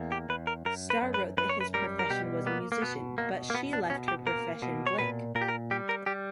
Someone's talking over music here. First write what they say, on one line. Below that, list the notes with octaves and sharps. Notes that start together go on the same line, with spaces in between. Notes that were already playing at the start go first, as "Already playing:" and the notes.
Starr wrote that his profession was 'musician', but she left her profession blank.
Already playing: E2 A#3
G4
E2 B4
A#4
F#2 A#4
B4
F#2
B4
F#2 B4
C#5
B4
G3 A#4
A#4
B2 G4
A#3 B3
A#3
B2 B3
B2 A#3
A#3
B2 B3
D4
B2 C#4
G4
A#3 A#4
B2
C#5
A#2 B4
A#2 A#4
G4
A#4
G3 G4
A#4
G3 G4